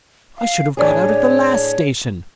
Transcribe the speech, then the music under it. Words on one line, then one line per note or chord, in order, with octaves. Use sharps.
I should have got out at the last station.
F5
A2 D4 G#4 C#5